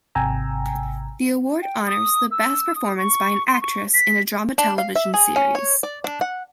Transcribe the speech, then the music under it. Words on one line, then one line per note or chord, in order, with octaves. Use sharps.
The award honors the best performance by an actress in a drama television series.
G#1 C3 G5 G#5 A#5 E6
G5
D#6
E6
D#6
C#6
C6
C#6
B6
D4
F5
E5
G#4
C#4
C#5
D5
D4
F#5